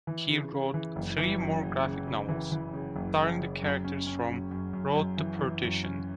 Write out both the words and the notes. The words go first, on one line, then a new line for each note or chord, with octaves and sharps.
He wrote three more graphic novels starring the characters from "Road to Perdition".
E3
C#3
C#3
E3
F#1
E3
F#2
F#1
C#3
C#3
E3
E3
C#3
F#1
C#3
C#3
F#2
C#4
C#4
F#2
F#2
F#2
F#2
E3
E3
F#2
C#4